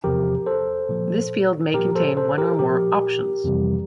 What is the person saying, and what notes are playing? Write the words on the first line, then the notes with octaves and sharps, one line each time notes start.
This field may contain one or more "Options".
E2 C3 F3 G4 A#4
A4 C5
A#2 F3
A#2 F3 G4 A#4
A4 C5
A4 C5
G4 A#4
A#2 F3 G4 A#4
F2 C3 E3 G3